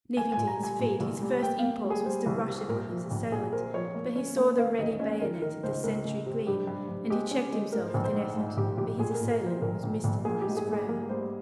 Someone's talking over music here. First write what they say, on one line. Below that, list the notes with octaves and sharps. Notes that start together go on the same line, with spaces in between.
Leaping to his feet, his first impulse was to rush upon his assailant, but he saw the ready bayonet of the sentry gleam, and he checked himself with an effort, for his assailant was Mr. Maurice Frere.
A#3 G#5
A#2 G#5
A#5
G3 G#5
A#2
C2
G3
A#3 G5
A#3 F5
G3
G#4
G3 C5
C2
C3
A#2 A#4
F3
A#1
A#2 G#4
C4 A#4
F3 C#5
A#3
C#4
A#3
A#3 F5
D#2 D#5
C#4 D#5
D#3 A#4
D#3 A#4
C#2 C5
C#2 A#4
C#2
C3
G2 G4
G2
G2
G#3 G4
C#4
G#3
G#2 A#4
C5
A#1
C5
G#2
G#2
A#1 G4
A#1 G4
A#2 G#4
A#4
A#2
A#4
F3 C5
A#1 A#4
A#1
A#1
A#3 G#4
G#2 G4
G#4
G3
G#4
A#3 A#4
G3 C5